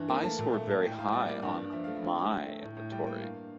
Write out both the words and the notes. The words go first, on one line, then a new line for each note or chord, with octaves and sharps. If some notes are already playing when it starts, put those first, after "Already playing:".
I scored very high on my inventory.
Already playing: G2 E3
A#3
A3 A5
A#2
A3
A#2 A5
A2 G5
A2 F5
G3 D5
A#3 D5
G2
G2
F3 E5
A3 F5
E5
D2
D2
D3 G5
A3
A2
A2
G3 G5
A#3 G5
G2 F5